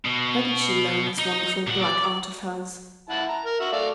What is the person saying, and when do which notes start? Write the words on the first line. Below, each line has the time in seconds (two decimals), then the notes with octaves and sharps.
"Where did she learn this wonderful black art of hers?"
0.05 B2
1.19 D#4
1.67 A#2 F#5
1.82 D5
3.10 E4 F#5 A5
3.29 A#5
3.45 A#4
3.60 F#4 E5
3.72 A3 D5 F5